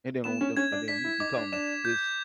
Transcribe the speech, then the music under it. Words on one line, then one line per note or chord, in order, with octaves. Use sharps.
And then on them and then you become this,
B3 E7
C#4
C#4 G#6
D4
D4 B6
E4
D#4 D6
D4
D4 E7
G6